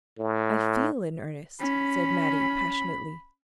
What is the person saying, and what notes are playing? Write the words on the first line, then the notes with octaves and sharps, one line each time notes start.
"I feel in earnest," said Mattie, passionately.
A2
C#4 B5